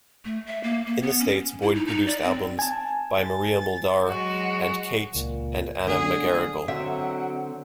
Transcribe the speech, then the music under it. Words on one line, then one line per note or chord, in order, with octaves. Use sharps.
In the States, Boyd produced albums by Maria Muldaur and Kate and Anna McGarrigle.
A3
E5
A#3
A#3
B3
C#4
E4
D#4
D#4
D5
C4
G#5 A5
A6
F#3 G#3 F#4
C#2 A#2
D3 F#3 A3 B3 G#4
D3 F#3 C4 E5 F#5